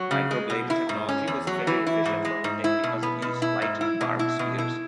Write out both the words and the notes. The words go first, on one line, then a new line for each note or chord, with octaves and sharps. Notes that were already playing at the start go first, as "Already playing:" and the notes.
Microblade technology was very efficient for hunting because it used light, barbed spears.
Already playing: F#3
C#3
G#3
B2
E4
G#2
C#4
E2
F#3
E3
E4
G#2
G#3
G#2
E4
B2
B3
B2
E4
G#2
E4
B2
E4
B2
E4